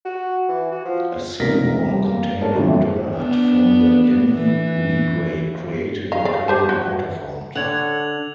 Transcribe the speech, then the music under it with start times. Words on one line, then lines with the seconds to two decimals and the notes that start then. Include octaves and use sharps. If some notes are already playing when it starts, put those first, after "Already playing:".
A seawall containing dirt from the Denny Regrade created the current waterfront.
0.05 F#4
0.49 E3
0.72 F#4
0.85 F3
1.40 F1 C#2 D#4 A#4 A#6 B6
1.83 G3
2.07 A#3
2.41 D4 A4 A#4 C#5 A5
2.55 G1 F2 A#2 E3
3.17 B3 D4
4.33 E3
6.12 D#5 F5
6.25 D5 F5
6.48 G4 C5 A5
6.69 F#4 C#5
7.55 D3 G3 A4 C#5 F#5 G#6 F7 F#7